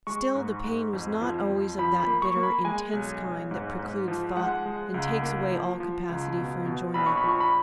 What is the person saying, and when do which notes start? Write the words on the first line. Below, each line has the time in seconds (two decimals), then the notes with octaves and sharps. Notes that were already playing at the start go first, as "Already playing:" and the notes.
Still the pain was not always of that bitter, intense kind that precludes thought and takes away all capacity for enjoyment.
0.07 G#3 C#6
0.35 G#2
0.64 G#2
0.93 F2
1.21 F3
1.50 F2
1.79 F3 B5
2.00 B5
2.07 A#3
2.22 C#6
2.36 A#3
2.43 B5
2.65 G#3 G#5
2.93 B1
3.22 B1
3.51 G#2
3.79 G#2
4.08 F3
4.37 G#3 F#5
4.66 G#3
4.94 C#2
5.23 A#3
5.51 F3
5.80 F3
6.09 C#2
6.37 B2
6.66 B2
6.94 A#1 B5
7.06 C#6
7.17 B5
7.24 F3
7.29 C#6
7.40 B5